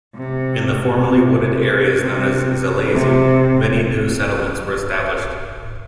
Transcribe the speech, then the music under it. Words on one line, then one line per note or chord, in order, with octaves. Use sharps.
In the formerly wooded areas, known as Zalesye, many new settlements were established.
C3
C3
C3
C3